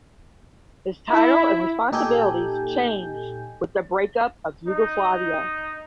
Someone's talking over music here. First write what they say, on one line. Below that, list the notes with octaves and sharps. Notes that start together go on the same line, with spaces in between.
His title and responsibilities changed with the breakup of Yugoslavia.
E4
A#2 D#4 G4 A4 G#5 G6
D#4